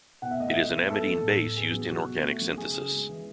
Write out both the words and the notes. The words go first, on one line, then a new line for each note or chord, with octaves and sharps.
It is an amidine base used in organic synthesis.
B2 F#5
E5
A3 D#5
E5
B2
A3
B3 A4
F#3
A2
A2
B3 G#4
F#3
B2 F#4
B2
A3
F#3
C#3 G#4
C#3
G#3
E3